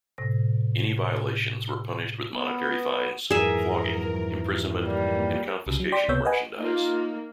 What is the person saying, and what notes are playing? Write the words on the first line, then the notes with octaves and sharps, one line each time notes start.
Any violations were punished with monetary fines, flogging, imprisonment and confiscation of merchandise.
A2 C3 A#6
B3
F2 G#2 E3 F#3 G#4 A#4 E5
G3 A#3
C2 C#3
F#3
D5 G5 C6 B6
C#2 C3 B3 C#5 E6 G6
B4 D#5 F#5 G#5
A#3 D#4 F4